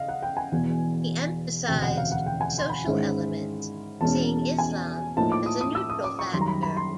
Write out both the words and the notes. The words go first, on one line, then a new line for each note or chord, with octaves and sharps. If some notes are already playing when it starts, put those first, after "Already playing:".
He emphasized social elements, seeing Islam as a neutral factor.
Already playing: C#3 D#5 F5
F#5
G5
G#5
E1 E2 B2
E1 D2 C3 G5
F#5
F5
F#5
G5
G#5
C6
B5
G#2 D#3 G#3 C#4 E4
E2 B2 G#3 C#4 A5
G#5
A2 F3 A#3 D#4 A5
D6
D#6
D#6
E6
D#6
D6
C#6
F#2 D#3 G3 C6
A#5
B5
B5
C6